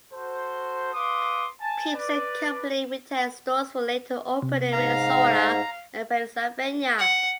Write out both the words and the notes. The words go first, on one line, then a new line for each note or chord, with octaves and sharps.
Peeps and Company retail stores were later opened in Minnesota, and Pennsylvania.
F#4 A4 C5
B4 F5 C6 D6 D#6
G#5 A5
B4 D5
C3
G#2 F5 A#5
F#5